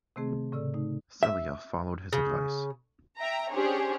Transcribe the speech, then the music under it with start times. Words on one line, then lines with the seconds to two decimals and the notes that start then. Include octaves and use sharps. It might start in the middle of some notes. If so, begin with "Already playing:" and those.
Celia followed his advice.
0.16 C3 D#3 A3 C4 G#4
0.52 A2 C#3 A4 D5 E6
0.74 A3 D#4
1.23 E5
2.13 C#3
3.20 E5 G5 A#5
3.53 C#4 D4 G4 G#4 C5 C#5